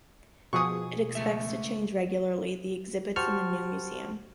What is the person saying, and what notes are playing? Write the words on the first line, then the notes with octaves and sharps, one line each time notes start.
It expects to change regularly the exhibits in the new museum.
B2 F3 G#4 C#6 D#6
C#2 A3 E5
F#4 G4 C5 A5 C#6 F6